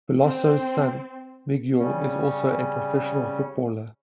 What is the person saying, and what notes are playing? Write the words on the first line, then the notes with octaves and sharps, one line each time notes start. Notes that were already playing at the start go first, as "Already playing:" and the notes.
Veloso's son, Miguel, is also a professional footballer.
C4
C#3 G3 C#4